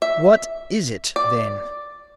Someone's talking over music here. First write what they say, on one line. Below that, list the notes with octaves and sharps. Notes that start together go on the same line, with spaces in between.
"What is it, then?"
E5
D5